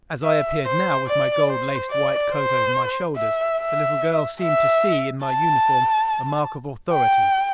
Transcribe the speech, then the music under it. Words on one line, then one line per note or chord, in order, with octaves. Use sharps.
As I appeared now, with my gold laced white coat over my shoulders, the little girl seemed to see in my uniform a mark of authority.
E5
C5
D5
C5
D5
C5
E5
E5
E5
A5
G5